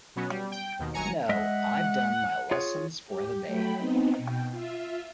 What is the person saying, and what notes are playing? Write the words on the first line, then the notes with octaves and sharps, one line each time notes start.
No, I've done my lessons for the day.
B2 F#3 B3 C#4 F#4
G3
G5
D#2 B2 D#3
G1 F#3 G#5 A#5 C#7
G#3 D#5 E5 F#5
F4 G#4 C#5
G4
F#3 A3 G5 B5
B3 C4 D#4
B2 G5
F4 E5